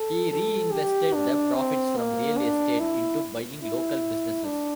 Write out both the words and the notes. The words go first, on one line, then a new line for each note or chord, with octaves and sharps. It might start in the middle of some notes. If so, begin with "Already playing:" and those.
He re-invested the profits from real estate into buying local businesses.
Already playing: A4
A4
G4
D4
C4
A#3
D4
E4
E4
D4